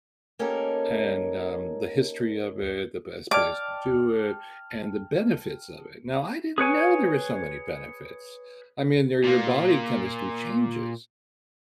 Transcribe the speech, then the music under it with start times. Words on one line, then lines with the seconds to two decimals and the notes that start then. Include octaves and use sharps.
and, um, the history of it, the best bays to do it, and the benefits of it, now I didn't know there were so many benefits. I mean, they're your body chemistry changes,
0.39 A#3 C#4 D#4 G4 A4 A#4
3.31 D5 D#5 G5 A5 D6 F6
6.58 G#4 B4 C#5 G#5
9.24 A#2 A#3